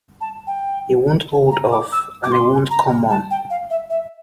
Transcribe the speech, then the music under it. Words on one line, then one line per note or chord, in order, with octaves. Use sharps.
He won't hold off, and he won't come on.
A5
G5
A#5
D6
E6
D6
C6
A#5
A5
G5
F5
E5
E5